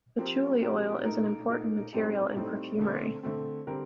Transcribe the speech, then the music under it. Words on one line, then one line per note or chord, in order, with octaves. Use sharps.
Patchouli oil is an important material in perfumery.
F3 C4 G4 A#4
F3 C4 G4 A#4
A#2 A3 D#4 A#4
A#2 A3 D#4 A#4
A2 G3 C4 D#4 A4
A2 G3 C4 D#4 A4
D3 A3 C4
D3 A3 C4
D3 G3 C4 G4 A#4